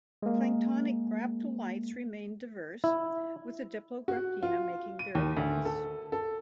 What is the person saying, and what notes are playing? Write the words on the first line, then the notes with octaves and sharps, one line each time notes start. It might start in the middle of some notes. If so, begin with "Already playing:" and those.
The planktonic graptolites remained diverse, with the Diplograptina making their appearance.
G#3 A#3
E4
F#4
F4
D#7
D#2
D2
A4
A4